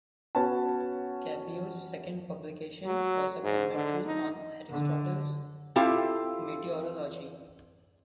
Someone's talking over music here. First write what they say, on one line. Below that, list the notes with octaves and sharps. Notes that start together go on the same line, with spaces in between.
Cabeo's second publication was a commentary on Aristotle's "Meteorology".
B3 C#4 F#4 B4 F#5 A5
F#3
G#2
D3
D#4
D3
C4 E4 F4 G4 A4